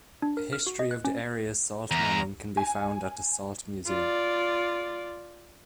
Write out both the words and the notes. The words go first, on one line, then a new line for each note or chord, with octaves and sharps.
A history of the area's salt mining can be found at the Salt Museum.
D4
A#4
F6
F#4
D#5
F#6
C#4
E2 A#5
G#5
F4 D5